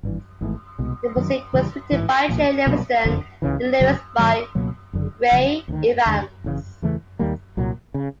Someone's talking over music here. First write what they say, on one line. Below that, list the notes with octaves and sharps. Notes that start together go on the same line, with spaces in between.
The music was written by Jay Livingston, the lyrics by Ray Evans.
G#1 G2 E3
G#1 G#2 E3 A3
C2 B2 G#3
F#2 D#3 F#3
E2 C#3 E3 G3
A1 G#2 E3
B1 A#2 F3
C2 B2 F#3 A#3
F#1 F2 D3 F3
C#2 C#3 E3
F1 F2 C#3 F#3
G2 D#3 F#3 A3
C#2 B2 F#3 A#3
F#1 F#2 D3
F#1 F#2 C#3 F3
D2 C3 D#3
D#2 D3 F3 G#3
F#1 F2 C#3 E3
E2 C#3 E3 A3
D#2 D#3 G3 A#3
C2 A#2 F#3
C#3